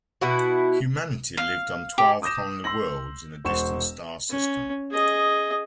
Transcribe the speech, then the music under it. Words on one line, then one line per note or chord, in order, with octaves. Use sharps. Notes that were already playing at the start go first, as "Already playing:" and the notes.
Humanity lived on twelve colony worlds in a distant star system.
B2 E4 F#4
F5
G4
D6 D#6 G6 A#6 E7
C6 E6 A#6 F#7
E1 C5 F#5 C#6 E7
C#4
G#4 D#5